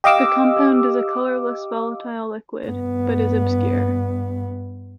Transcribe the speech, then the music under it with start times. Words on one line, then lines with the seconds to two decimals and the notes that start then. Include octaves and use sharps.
The compound is a colourless volatile liquid, but is obscure.
0.04 G4 D#5 F5 D6 E6
2.67 G2 B3